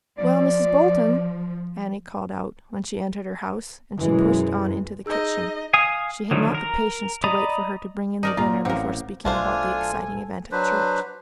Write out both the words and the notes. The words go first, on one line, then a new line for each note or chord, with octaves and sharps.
"Well, Mrs. Bolton!" Annie called out, when she entered her house, and she pushed on into the kitchen; she had not the patience to wait for her to bring in the dinner before speaking about the exciting event at church.
F3 D5
F#2 B2 E3 G#3
D#4 G#4 D#5 E6 G6
F5 G#5 D#6
D3 D#3 F3 F#3
A#4 A#5
D5 D#5 A#5 B5 D#6
D#4 A#4 D5
A#2 F4 A#5
A1 C4 A#4 F5 F#5
B1 A3 D4 F4 F#4 A4 C5 G#5
F#3 D4 B4 C5